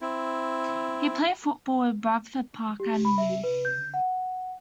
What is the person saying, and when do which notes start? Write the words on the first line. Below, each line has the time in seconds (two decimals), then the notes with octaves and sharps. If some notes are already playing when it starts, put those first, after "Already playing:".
He played football with Bradford Park Avenue.
0.01 C4 E4
2.80 G4
3.05 B5
3.18 E5
3.44 B4
3.65 G6
3.94 F#5